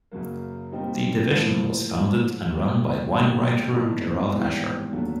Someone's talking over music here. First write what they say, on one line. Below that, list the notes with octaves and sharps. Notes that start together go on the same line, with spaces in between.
The division was founded and run by wine writer Gerald Asher.
F#2 C#3 F#3 A#3
A#2 G3 C4 D#4
A1 A2 F3 A#3
A1 G#2 F3
A#2 G3 A#3
A#1 G#2 D#3 G3 B3
A#1 A2 F#3 B3 D#4
G#1 G#2 E3 G3 B3
F1 D#2 D3 F#3 B3